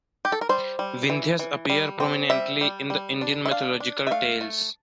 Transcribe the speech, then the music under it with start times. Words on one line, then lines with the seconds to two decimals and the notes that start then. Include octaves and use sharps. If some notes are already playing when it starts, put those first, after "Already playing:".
Vindhyas appear prominently in the Indian mythological tales.
0.25 G4
0.32 A4
0.41 A#4
0.49 G3 C5
0.79 G3
1.10 E3
1.39 E3
1.69 G3
2.00 C4
2.30 G3 E5
2.61 G3
2.90 G3
3.21 D4
3.46 E5
3.51 D4 F5
3.80 D4
4.07 E5
4.11 A3 F5
4.41 A3